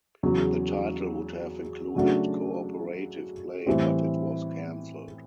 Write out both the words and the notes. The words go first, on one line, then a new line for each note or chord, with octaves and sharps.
The title would have included cooperative play but it was cancelled.
E2 C#3 F#3
C#3 F#3 A3 D4 F#4
A2 E3 G3 C4